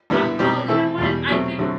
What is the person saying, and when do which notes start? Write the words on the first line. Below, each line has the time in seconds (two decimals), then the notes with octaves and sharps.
Ah, well, you know what? I think
0.10 G2 D3 G3 B3 E4
0.39 B2 G3 C4 G4
0.68 E3 A3 C4 E4 A4
0.98 E2 B2 G3
1.29 B2 F#3 A3 C4
1.59 D3 F#3 A3 C4